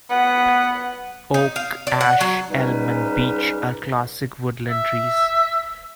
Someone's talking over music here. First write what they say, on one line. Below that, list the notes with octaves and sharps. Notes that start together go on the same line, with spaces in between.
Oak, ash, elm and beech are classic woodland trees.
B3 F#5
D#4
F5
D5
F#5
F#3
C#2 G#2 G3 C#4 D#4 B4
E5